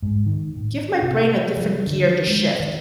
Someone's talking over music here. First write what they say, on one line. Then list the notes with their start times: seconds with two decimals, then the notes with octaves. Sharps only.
give my brain a different gear to shift.
0.02 G#2
0.26 D#3
0.56 A2
1.02 C3
1.57 F3
1.87 D3
2.27 G#3
2.60 D#3